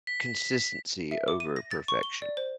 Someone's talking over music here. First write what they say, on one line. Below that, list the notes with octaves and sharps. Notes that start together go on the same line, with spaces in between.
consistency over perfection.
B6
E5
D6
D#7
A#6
A6
C#6
G7
D5
C5